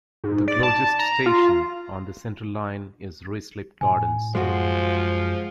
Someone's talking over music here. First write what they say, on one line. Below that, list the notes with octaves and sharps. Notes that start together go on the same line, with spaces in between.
The closest station on the Central line is Ruislip Gardens.
G#2
D5
A5
A#5
F4
A2 G#5
F#2 F3 G#3 F#4 G#4